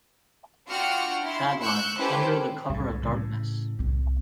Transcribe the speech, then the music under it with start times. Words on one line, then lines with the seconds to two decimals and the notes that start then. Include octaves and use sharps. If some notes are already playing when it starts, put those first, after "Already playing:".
Tagline: "Under the cover of darkness".
0.67 D4 F4 F#4 F#5 G5 F6
1.23 E4 C6
1.61 C#6 E6 F#6 G6
1.98 C#4 E4 G4 A4 B4 C5
2.69 C2 A2 E3
3.02 A2 C#3
3.79 C2 C4